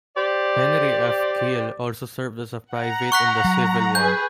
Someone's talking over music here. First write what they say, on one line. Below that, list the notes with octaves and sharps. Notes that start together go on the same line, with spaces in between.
Henry F. Kiel also served as a private in the Civil War.
G4 C5 D5
F#5 A#5
C#6 F#6 B6
F#3
G#4 B4 G6